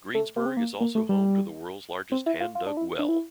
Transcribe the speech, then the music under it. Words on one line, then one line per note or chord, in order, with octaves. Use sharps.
Greensburg is also home to the world's largest hand-dug well.
A3
A#3
C4
A#3
A#3
A3
G3
C4
E4
F4
F4
D4
E4
D4
E4